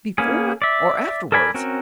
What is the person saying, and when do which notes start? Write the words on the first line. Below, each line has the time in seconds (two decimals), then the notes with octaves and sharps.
"Before, or afterwards?"
0.18 A#3 B3 C#4 G#4
0.62 D5 E5
1.32 A4 A#4 D5 G#5 B5
1.54 C4 C#4 F#4 A#4